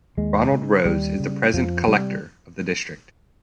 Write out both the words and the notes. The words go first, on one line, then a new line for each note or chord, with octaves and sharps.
Ronald Rose is the present collector of the District.
D#2 G#3
C#3
D#2 G3
C#3
F2 F3
C3 G3